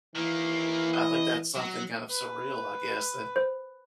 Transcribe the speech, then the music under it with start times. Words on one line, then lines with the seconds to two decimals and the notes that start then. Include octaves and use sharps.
I think that's something kind of surreal, I guess, that
0.15 D#3 E3 A#3
0.94 D#5
1.55 F#3
2.09 B4
3.36 C5